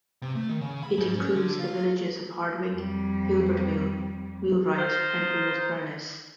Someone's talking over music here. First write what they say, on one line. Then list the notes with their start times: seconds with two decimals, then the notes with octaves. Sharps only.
It includes the villages of Hardwick, Gilbertville, Wheelwright and Old Furnace.
0.22 C3
0.35 A3
0.49 D#3
0.61 C#3
0.83 B5
0.98 G#2
1.17 C#4
1.35 D3
1.59 F4
2.70 F2 G3
4.77 D#4 F4 C5